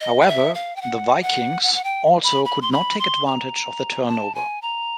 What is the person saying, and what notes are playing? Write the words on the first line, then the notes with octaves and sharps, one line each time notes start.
However, the Vikings also could not take advantage of the turnover.
D#5
F5
E5
F5
G5
F#5
F#5
F#5
F#5
G5
B5
B5
C6
B5
C6
A#5
A5
G#5
A#5